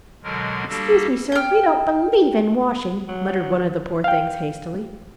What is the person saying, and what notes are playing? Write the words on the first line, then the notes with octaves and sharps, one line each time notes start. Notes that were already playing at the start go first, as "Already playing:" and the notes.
"Excuse me, sir, we don't believe in washing," muttered one of the poor things hastily.
B2 D3 F#3 G#3 A#4
G3 A#3 D4 F#4 G4 A4
G5 F6
F#3
F5 G5